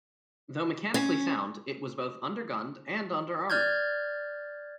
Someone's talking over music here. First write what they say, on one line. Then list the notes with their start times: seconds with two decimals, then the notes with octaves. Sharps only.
Though mechanically sound, it was both under-gunned and under-armoured.
0.94 C#4
3.50 D5 F6 G6 G#6